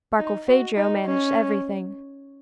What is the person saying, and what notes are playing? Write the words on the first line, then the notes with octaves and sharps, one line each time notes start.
Barkilphedro managed everything.
D#4
F#4
D#4
C#4